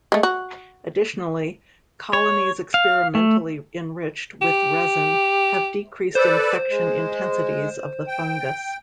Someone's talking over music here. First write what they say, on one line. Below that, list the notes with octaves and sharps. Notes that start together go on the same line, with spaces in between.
Additionally, colonies experimentally enriched with resin have decreased infection intensities of the fungus.
G#3 A3
F#4
C#5
F5
A3
G4
A4 B4 C5 D5
G#3
G5